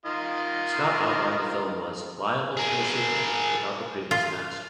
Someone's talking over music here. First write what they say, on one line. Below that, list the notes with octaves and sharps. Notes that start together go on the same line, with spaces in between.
Scott outlined the film was "liable to be a sequel" without the previous cast.
D#3 F4 D#5
G#4 A#4
F4